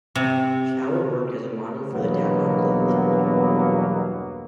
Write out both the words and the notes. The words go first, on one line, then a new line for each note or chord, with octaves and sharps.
Shower worked as a model for the Tapout clothing company.
C3
E2 G2 B2 F#3 A#3 B3